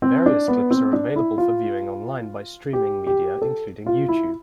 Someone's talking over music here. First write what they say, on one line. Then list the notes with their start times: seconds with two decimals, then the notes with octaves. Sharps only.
Various clips are available for viewing online by streaming media, including YouTube.
0.02 C4
0.26 D4
0.48 B3
0.71 C4
0.93 D4
1.16 E4
1.38 F4
2.73 G4
3.07 G4
3.42 A4
3.86 F4
4.08 E4